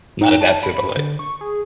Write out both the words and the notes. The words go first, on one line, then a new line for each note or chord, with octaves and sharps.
Not adapt to, but like
D#4
A5
B5
D3
C#6
G#4